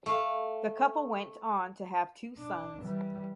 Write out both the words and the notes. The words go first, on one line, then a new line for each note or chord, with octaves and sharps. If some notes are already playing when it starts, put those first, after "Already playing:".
The couple went on to have two sons.
A3 F5
D4
E3 G3